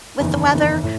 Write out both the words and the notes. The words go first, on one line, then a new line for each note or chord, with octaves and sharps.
with the weather.
F#1 E2 D#3
F#1 E2 D#3
A2